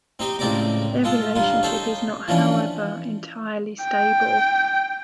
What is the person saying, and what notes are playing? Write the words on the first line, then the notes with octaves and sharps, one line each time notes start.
Their relationship is not, however, entirely stable.
C4 D#4 G4
C#2 A2 C4 D5 A#5 D6
G#3 F4 A4
G2 D#3 F4
D#4 A4 C5 C#5
E3 F3 C#4 D4
G5